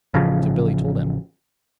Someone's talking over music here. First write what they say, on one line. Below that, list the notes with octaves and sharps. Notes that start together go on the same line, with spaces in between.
So Billy told him.
A1 C#3 F3